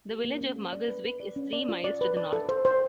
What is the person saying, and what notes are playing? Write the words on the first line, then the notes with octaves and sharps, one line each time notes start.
The village of Muggleswick is three miles to the north.
G4
A#3
C#4
A4
D5
B4
B4
D5
C#4
D5
F4
D5
B4
D5
A4
C5
C5